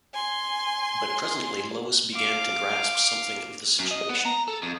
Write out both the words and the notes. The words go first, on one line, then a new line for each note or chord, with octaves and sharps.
But presently Lois began to grasp something of the situation.
G#5 C6
F5 D6
F#2
D#5
B3
A#5
A4
F2